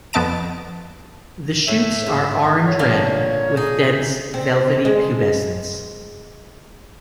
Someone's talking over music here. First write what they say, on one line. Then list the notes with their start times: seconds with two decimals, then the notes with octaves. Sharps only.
The shoots are orange-red with dense velvety pubescence.
0.13 F2 B3 D#5 A5 D7
1.68 A2 E5
2.07 G#2
2.67 C#5
2.79 A#2 D3 A#3
3.57 D#4 G#4
4.34 C4
4.85 G#3